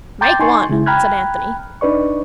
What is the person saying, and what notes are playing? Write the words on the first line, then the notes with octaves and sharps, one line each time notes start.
"Make one," said Anthony.
G5 A#5 C6 D6 G6 A6
D#4 G#5 C6 C#6
C#3 G#3 E4
G5 A#5 B5 F6 F#6 G#6
D4 D#4 B4 D5 C#6